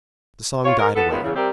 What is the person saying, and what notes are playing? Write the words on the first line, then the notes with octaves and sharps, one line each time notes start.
The song died away.
F4 C#5
A#4
B3 A4
F#2 A#2 D#3 G#3 B3
E2 C#3
C3 G3 C4 G4 A#4